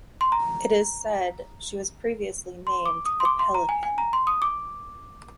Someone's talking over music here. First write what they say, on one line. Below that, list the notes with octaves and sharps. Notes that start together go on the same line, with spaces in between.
It is said she was previously named the "Pelican".
C6
A#5
C6
D6
D#6
C6
D6
C6
A#5
G#5
G#5
A#5
C6
D#6
D6